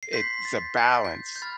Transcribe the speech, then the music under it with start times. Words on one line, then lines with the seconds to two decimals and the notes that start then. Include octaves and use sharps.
It's a balance,
0.03 C7
0.13 C6 G6 B6
0.45 A6
0.77 G6
1.05 G6
1.36 G6
1.42 B5 F6 A6